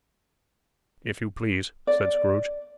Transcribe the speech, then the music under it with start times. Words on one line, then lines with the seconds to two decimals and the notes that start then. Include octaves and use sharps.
'If you please,' said Scrooge.
1.87 D5